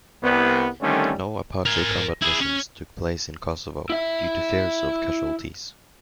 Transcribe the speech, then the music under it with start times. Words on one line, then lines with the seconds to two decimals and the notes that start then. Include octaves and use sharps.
No Apache combat missions took place in Kosovo due to fears of casualties.
0.23 C2 B3
0.82 D3 D#3 G3 A3 C4 C#4
1.66 A#4 G#5
2.22 E4 G#4
2.41 C#4
3.90 E4 E5